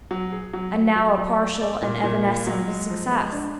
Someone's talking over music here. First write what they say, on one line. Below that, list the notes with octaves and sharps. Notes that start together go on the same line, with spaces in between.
And now a partial and evanescent success.
F#3
G#4
F#3
F#3
F#3
F#3
D5
D5
A#2
A#2
F4
F#3
G#3
F3
G#3
D4